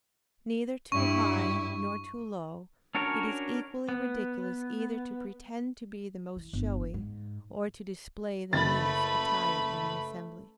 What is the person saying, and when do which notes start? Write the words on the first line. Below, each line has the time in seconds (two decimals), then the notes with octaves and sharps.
Neither too high, nor too low; it is equally ridiculous either to pretend to be the most showy, or to display the meanest attire in an assembly.
0.92 G2 E4 C#6
2.95 C#4 D4 F#4 A#4 C#5
3.89 B3
6.36 E3
6.53 G1
6.94 G#2
8.53 F#1 A3 B4 B5 A6